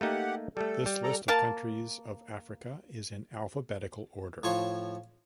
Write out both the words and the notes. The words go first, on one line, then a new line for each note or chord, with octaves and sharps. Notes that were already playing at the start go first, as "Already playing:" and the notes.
This list of countries of Africa is in alphabetical order.
A3 A#3 D#4 G4 F#5
G3 A3 A4
G3
A4 D5 A#5
A#3 F5 A5
A2 F3 C#5 G#5 C6